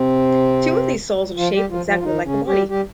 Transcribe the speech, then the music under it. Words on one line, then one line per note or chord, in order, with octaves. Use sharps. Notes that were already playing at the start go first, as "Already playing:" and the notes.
Two of these souls are shape exactly like the body.
Already playing: C3 C4
F3 F4
G3 G4
F3 F4
F3 F4
F4
D#3 D#4
C#3 C#4
G3 G4
G3 G4